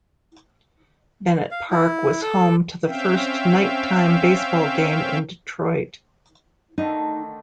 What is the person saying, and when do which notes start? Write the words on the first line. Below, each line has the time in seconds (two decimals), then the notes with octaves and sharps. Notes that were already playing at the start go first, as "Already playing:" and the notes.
Bennett Park was home to the first nighttime baseball game in Detroit.
1.51 F5
1.71 E4
2.22 A4
2.87 C4 C#4 E5 F5 G5
6.78 D3 D#3 A3 D#4